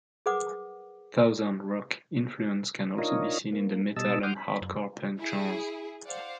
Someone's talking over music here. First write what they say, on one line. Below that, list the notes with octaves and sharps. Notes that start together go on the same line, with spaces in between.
Southern rock influence can also be seen in the metal and hardcore punk genres.
G#4 A#4 B4 F#5 D6 D#6
D4 D#4 F4 A#4 C#5 D#5
A#3
B2 G3 D#5 A5 E6
F#5 C6 D6 D#6 F6 G6
B5
F#2
E4 G#4
C5 D5 F5 F#5